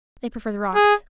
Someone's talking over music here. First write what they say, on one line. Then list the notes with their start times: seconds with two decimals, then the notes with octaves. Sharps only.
They prefer the rocks.
0.75 G#4